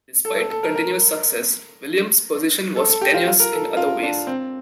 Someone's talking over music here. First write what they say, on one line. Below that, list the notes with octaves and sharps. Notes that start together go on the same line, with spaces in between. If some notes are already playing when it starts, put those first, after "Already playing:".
Despite continuous success, Williams' position was tenuous in other ways.
A4
A4
A4
A#4
A#4
A4
A4
G4
F4
F4
A#4
A4
F4
D4
C4